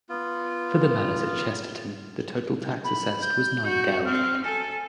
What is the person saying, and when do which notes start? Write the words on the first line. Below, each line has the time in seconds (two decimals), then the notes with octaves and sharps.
For the manors at Chesterton the total tax assessed was nine geld.
0.09 B3 F4
2.84 B5
3.22 G6
3.65 F#4
4.05 C4 F6
4.44 A4 G#5